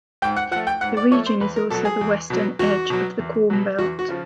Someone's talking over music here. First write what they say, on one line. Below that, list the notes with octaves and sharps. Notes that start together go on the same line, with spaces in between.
The region is also the western edge of the Corn Belt.
G#2 G5
F#5
F3 A3 F#5
G5
G#2 F#5
D5
F3 A3 C#5
C5
E2 B4
A#4
B2 F#3 A4
G#4
E2
B2 F#3
E2 F#4
B2 F#3
E2
B2 F#3
E2 F#4
F#4
C#3 F3